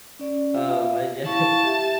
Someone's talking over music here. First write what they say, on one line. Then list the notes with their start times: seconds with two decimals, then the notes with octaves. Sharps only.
Um, uh yeah.
0.19 C#4 D5
0.54 F4 E5 F5
1.26 E4 F5 A5 C#6
1.64 G4 E5